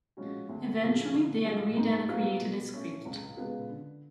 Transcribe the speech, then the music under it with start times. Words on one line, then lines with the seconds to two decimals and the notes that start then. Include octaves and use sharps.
Eventually, they agreed and created a script.
0.17 F3 G#3 C#4 F#4
0.49 D2
0.81 C#3 F3
1.13 D3
1.45 F3 G#3
1.77 G#2
2.09 F#3 B3 F4
2.41 B2
2.73 A3 C#4
3.05 C#2
3.37 C#3 G#3 B3 F4
3.69 D3